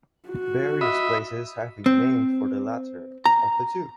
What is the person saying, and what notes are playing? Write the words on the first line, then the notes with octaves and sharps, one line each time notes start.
Various places have been named for the latter of the two.
F#4
D#5 E5 B5
C4
A#5